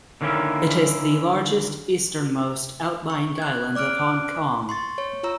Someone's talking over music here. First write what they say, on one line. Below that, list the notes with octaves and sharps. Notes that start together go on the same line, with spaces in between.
It is the easternmost outlying island of Hong Kong.
D3 D#3 A#3 C#4 E4
C#6
F#6 G#6
D5 D6 F6 F#6 D7
C6 C#6 A6
C#5 C#6
F4 C#5 A#5 E6